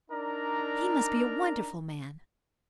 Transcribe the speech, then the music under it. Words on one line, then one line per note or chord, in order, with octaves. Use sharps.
"He must be a wonderful man."
D4 D#4 A#4 D5 A#5